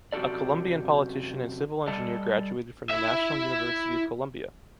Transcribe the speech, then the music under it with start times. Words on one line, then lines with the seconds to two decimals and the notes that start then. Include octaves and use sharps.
A Colombian politician and civil engineer graduated from the National University of Colombia.
0.12 F#2 C3 F#4 G4 A4 D5
1.87 G3 A4 D5 D#5 A5
2.91 E4 E5